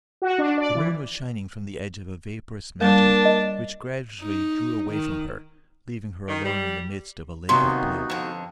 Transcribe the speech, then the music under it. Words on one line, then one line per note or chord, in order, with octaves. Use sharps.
The moon was shining from the edge of a vaporous mountain, which gradually drew away from her, leaving her alone in the midst of a lake of blue.
F#4
D4
D5
E3
G3 A#3 D4 A5
D#5
D#4
D#3
D#3
G3
D#2 C3 F#3 B3 D#4 F#4 C6
F2 D3